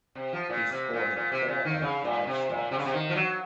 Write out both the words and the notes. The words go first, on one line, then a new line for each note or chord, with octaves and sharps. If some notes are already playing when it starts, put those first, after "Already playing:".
He scored it four out of five stars.
C3
F3
A#2
C3
A#2
A#2
C3
A#2
D#3
C#3
A#2
C3
A#2
C3
C#3
C3
D#3
F3
F#3